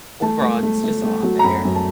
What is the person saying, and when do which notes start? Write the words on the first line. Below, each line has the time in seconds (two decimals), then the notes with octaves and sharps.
Overall, it's just a lot better,
0.22 A3 A5
0.42 A3
0.63 A3
0.84 A3
1.04 A3
1.23 F#3
1.39 A#5
1.44 F#2 B5
1.65 F#2
1.75 A5